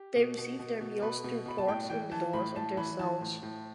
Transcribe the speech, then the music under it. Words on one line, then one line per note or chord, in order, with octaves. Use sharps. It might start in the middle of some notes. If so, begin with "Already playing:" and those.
They receive their meals through ports in the doors of their cells.
Already playing: G4
B2
B2
B2
B2
B2 B4
B2
B2 B5
A5
A2 G5
E3 G5
E3 A5
A2 B5
A2 A5
E3 B5
E3 A5
A2
A2